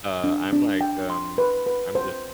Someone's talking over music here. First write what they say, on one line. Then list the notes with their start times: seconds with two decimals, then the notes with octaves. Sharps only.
Uh, I'm like, um, I'm just,
0.24 D4
0.53 D4
0.81 G5
1.10 C6
1.38 B4
1.66 B4
1.95 C5